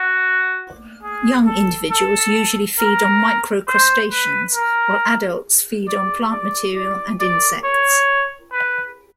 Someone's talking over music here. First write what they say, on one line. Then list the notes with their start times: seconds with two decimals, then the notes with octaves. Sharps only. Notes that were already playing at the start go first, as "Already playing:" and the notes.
Young individuals usually feed on micro-crustaceans, while adults feed on plant material and insects.
Already playing: F#4
1.03 G#4
1.46 A4
1.91 A4
2.79 A#4
3.67 C5
4.12 B4
4.55 A#4
5.88 D5
6.32 D5
6.76 D5
7.20 D5
7.64 C#5
8.53 B4